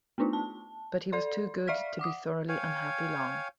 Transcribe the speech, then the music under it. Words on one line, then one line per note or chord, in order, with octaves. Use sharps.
But he was too good to be thoroughly unhappy long.
A3 B3 D4 D#4 F4
A5
A4 D5 C6
D5 E5 F5 F6 B6
F#5 D6 D#6
C#5 F5 G5 G#5